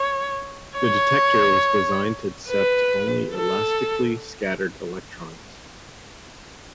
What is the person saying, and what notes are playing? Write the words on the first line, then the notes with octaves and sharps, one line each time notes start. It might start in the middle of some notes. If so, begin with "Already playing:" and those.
The detector was designed to accept only elastically scattered electrons.
Already playing: C#5
C#5
B4
A4